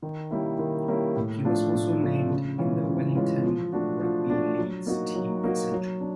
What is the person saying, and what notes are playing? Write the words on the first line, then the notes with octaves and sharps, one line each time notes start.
He was also named in the Wellington Rugby League's Team of the Century.
D#3
G3 A#3 C#4 E4
D#3
G3 A#3 C#4 E4
A2
F3 A3 D4 F4
A2
F3 A3 D4 F4
C#3
E3 G#3 C#4 F4
C#3
E3 G#3 C#4 F4
F3
A3 D4 F#4
F3
A3 D4 F#4
F#3
A#3 D#4 F#4
F#3
A#3 D#4 F#4
F#3
D4